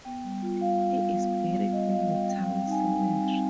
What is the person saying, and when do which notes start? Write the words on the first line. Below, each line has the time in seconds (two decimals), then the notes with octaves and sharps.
He is buried in the town cemetery.
0.05 B3 G5
0.24 G3
0.42 F4
0.61 G3 F5
0.80 F4
0.98 G3
1.17 B3
1.36 B3
1.54 G3
1.73 G3 D#5
1.92 G3 F5
2.10 G3 G5
2.29 C4 G5
2.43 C4 F5
2.57 G5
2.66 D#4 G#5
2.85 G3
3.04 G3
3.23 C4